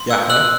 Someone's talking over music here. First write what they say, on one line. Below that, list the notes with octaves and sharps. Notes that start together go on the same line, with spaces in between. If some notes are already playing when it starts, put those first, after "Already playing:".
Yeah, go ahead.
Already playing: C6
E6
E6 F#6 F#7